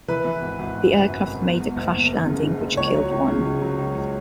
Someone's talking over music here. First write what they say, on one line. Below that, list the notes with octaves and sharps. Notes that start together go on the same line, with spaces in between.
The aircraft made a crash landing, which killed one.
E3 B4
E3
G#1
G#1
G#1
F#2
G#1
G#1
E2
E2
F#1
E2
E2
C#3
C#3
F#1
C#2 C#5
F#3
C#2
C#3
C#2
F#3
C#2
C#2